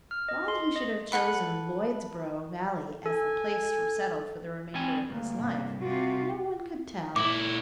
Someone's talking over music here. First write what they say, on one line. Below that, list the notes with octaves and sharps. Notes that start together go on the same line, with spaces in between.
Why he should have chosen Lloydsborough Valley as the place to settle for the remainder of his life, no one could tell.
F6
D#5
C6
D#5
A4 B4 F#5 B5
A4 G#5
G3 C4 G#5
D2 G2 A#3
C2 G2
C3 F4 F#4
A#2 E4 D6